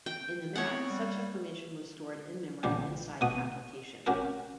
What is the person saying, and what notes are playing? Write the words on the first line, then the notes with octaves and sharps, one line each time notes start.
In the Mac such information was stored in memory inside the application.
G5
B3 C4 C#5 F#5
G3
A#1 D3 G3 G4
B2 F#4 D#6
C#4 F#4 G4 A#4